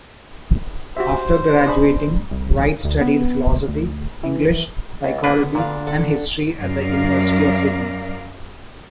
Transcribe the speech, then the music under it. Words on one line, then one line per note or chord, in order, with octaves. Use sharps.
After graduating, Wright studied Philosophy, English, Psychology and History at the University of Sydney.
F#4 G4 C5 E5
D4 G#4 B5
C2
D2
B3
D2
E3
C#2
D3 A#3 B3 D4 B4
D2 A#2 D4 F5
A4 F#5
F#2 A#4 D5 F5